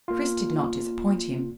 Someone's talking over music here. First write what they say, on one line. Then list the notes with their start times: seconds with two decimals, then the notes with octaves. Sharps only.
Chris did not disappoint him.
0.08 A#3 F4